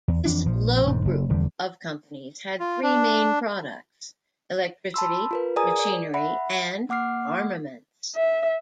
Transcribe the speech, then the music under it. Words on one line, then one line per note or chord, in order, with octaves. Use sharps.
This 'Loewe Group' of companies had three main products: electricity, machinery, and armaments.
E2
F2 E3 D4
A#1 F3
E1 G#2
F#1
F1 E2 D3 G3
F4
D4
A5 B5 C6 E6
F4 A#4 B4
G#4 A#4 D5 G#5 A#5 D#6
D5
E5 F#5 B5
A#3 F#5 D6 F6 C7
E5